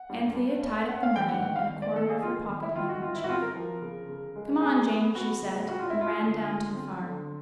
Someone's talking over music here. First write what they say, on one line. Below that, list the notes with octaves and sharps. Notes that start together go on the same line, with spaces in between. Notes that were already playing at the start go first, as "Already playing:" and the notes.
Anthea tied up the money in a corner of her pocket-handkerchief. 'Come on, Jane!' she said, and ran down to the farm.
Already playing: F#5
G2
G2
C#4
C#4 F#5
F5
E3 G5
F#5
D#3 F#5
F5
D#3
D5
D#3 A4
G#4
D#3 F4
D#3
E4
D#3 F4
F#4
D#3 F4
E4
F#4
C4 F4
A#4
F3
C#3
C#3
G#3
B3 G#4
B3
B3 F#4
C#3
G3 F#4
F4
D#4 E4
F4
D3
D3
C4
D3